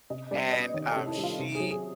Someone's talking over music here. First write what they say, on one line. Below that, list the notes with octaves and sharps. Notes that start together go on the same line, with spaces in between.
and, um, she
C3 D#5
G3 D5
B3 D#5
D#3 C#5
A4
C3
E4
G3
F4
C3
G#4
F#3
G#4